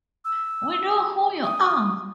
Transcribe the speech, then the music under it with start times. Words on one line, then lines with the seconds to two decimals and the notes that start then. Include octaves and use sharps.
We know who you are.
0.25 E6
1.44 D#6